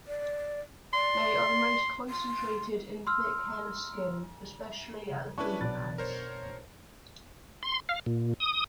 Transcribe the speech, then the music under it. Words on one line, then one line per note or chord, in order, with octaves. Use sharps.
They are most concentrated in thick hairless skin, especially at the finger pads.
D5
D5 C6
C6
C6 E6 F6
C#4 D4 E4 B4 C#6
B1 B4 D5 A6
A#4 C5 C#5
C6
F5
A#2
D#6